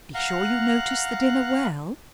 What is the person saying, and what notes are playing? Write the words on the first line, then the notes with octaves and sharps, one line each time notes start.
Be sure you notice the dinner well.
F5 F#5 A#5 F#6